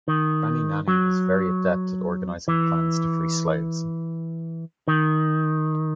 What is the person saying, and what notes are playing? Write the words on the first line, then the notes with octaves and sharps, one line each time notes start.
Granny Nanny was very adept at organizing plans to free slaves.
D#3
F#3
E3
D#3